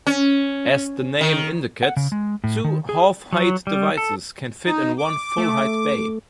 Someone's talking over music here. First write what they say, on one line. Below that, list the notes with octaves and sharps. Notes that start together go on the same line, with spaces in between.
As the name indicates, two half-height devices can fit in one full-height bay.
C#4
D#3
F#5
C#3
G#3
A2
D#3
G#4
F#3
G3
A4
D#4
D6
A3